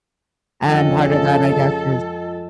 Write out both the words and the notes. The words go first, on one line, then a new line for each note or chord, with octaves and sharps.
and part of that, I guess, is
F2 C#3 G#3 F4 A4 D#5